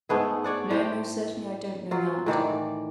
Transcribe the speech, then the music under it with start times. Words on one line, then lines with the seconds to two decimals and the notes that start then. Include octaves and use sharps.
"No, most certainly I don't know that."
0.09 G#2 A3 B3 G#4
0.44 C#5 D5 F#5
0.70 A2 C5 G5
1.91 F#3 F4
2.26 A2 D#3 E3 D5